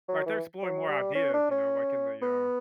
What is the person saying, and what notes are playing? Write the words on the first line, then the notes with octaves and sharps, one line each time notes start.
Right, they're exploring more ideas, you know, like in the j uh
F#3
E3
F#3
G3
C#4
D4
C#4
B3